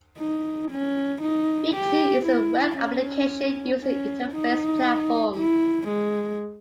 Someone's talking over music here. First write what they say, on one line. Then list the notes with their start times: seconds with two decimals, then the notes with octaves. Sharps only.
Vexi is a web application user interface platform.
0.19 D#4
0.71 C#4
1.22 D#4
1.74 G4
2.26 E4
2.78 C#4
3.80 C#4
4.32 D#4
5.36 E4
5.88 G#3